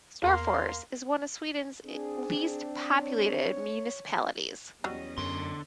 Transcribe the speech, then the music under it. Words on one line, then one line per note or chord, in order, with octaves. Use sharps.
Storfors is one of Sweden's least populated municipalities.
E2 A#3 F5 C6
C4 D4 G#4
C#5
E2 F#3 G3 C#4 D#5
F#2 D3 C6